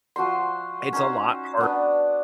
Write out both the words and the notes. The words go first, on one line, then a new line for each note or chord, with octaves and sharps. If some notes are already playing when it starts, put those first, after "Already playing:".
it's a lot harder
F3 F#4 C5 C6
C#4 D#4 C5
B3 D4